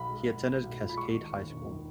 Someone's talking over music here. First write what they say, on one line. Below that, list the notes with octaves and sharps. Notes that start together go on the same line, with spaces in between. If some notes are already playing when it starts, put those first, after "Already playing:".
He attended Cascade High School.
Already playing: B1 B5
G#3
B1
G#3
B1
A#2
B5
G#3 C#6
D#2
D#2
E1
D#3